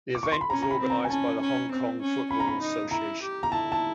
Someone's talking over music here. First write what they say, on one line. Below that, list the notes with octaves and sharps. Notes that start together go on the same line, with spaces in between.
The event was organized by the Hong Kong Football Association.
D6
C#6
C6
B5
C#4 A#5
A#5
B5
C4
A#5
G#5
C#4 A5
C#4
C4
C#4
C#4 B5
A#5
B5
D#4
E4 A#5
G4
A#5
E4 A5
A5